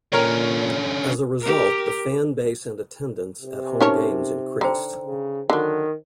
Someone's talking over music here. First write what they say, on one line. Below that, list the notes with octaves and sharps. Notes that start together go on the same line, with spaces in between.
As a result, the fan base and attendance at home games increased.
A#2 D3 C#4 A#4 C#5
G4 A#4
C3
C#4 D#4 A#4 C#5
D3 C5 G5 A#5
C#3
D3 D#3 F#3